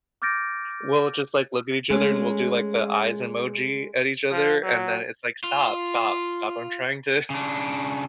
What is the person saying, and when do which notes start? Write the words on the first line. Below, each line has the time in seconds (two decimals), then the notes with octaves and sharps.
We'll just, like look at each other, and we'll do like, the eyes emoji at each other, and then it's like, "Stop, stop, stop. I'm trying to"
0.22 D6 F6 G6 A6 A#6 D7
1.90 G#3 A3 C#4
4.31 F3
4.63 F#3
5.44 F4
7.30 C#3 D4